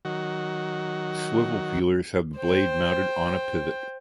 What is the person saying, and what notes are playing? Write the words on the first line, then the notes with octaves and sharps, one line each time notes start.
Swivel peelers have the blade mounted on a pivot.
D#3 F#3 F#4
C5 G5